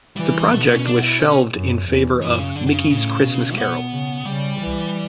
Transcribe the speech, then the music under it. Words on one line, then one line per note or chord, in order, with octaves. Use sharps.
The project was shelved in favor of "Mickey's Christmas Carol".
E3 G3
B2 A3
B3
C#4
D4
F#4
E4
C#4
F#2
E2
F#2 E3
C#3
F#2 D3
D3
C#3
A2 C#3
B2
B3
C#3
C#3 G3
E3